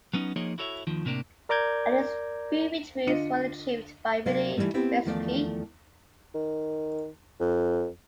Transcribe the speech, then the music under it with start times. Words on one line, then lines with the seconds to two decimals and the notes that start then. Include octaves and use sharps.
At least three victories were achieved by Willi Reschke.
0.13 F#3 B3 C#4 D#4
0.36 F3 A#3 D#4 G#4 C#5 D#5
0.58 E4 F#4 A4 C#5 D5 E5
0.87 D#2 D#3 F3
1.05 A2 C3 A#3 D4
1.49 A#4 D5 A#5 D6 G6 G#6
3.07 D3 D4 F4 D#5 C#7 D#7
4.26 C3 F#3 A#3 D5 F5
4.56 E3 F#3 G3 A3 D#4
4.74 B3 C4 E4 G4
5.05 E2 D#3 F3 A3 D5 F5
6.34 D#3
7.40 F2